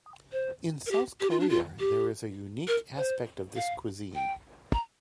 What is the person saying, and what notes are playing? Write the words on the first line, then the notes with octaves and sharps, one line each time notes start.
In South Korea there is a unique aspect of this cuisine.
C5
A#4
G4
G4
F4
D4
F4
G4
A#4
C5
F5
G5
A#5